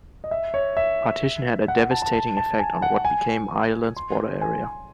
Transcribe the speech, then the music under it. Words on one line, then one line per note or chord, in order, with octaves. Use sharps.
Partition had a devastating effect on what became Ireland's border area.
D#5
E5
C#5
E5
F#5
F#5
A5
A5
A5
A5
G#5
F#5
G#5
C6
G#5